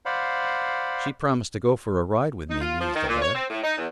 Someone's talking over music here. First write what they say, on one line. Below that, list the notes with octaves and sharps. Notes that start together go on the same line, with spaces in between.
"She promised to go for a ride with me," mused the lad.
C5 D5 F5 F#5 B5
D#4
F4
F3
D#3
A#2
C#5
C4
A2
D#4
E2